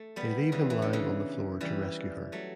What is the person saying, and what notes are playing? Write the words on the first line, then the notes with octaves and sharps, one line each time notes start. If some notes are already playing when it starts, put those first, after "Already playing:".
They leave him lying on the floor to rescue her.
Already playing: A3
G3 B3
C#3 E3
E3
D3
C#3 E3
E3 G3
F#3 A3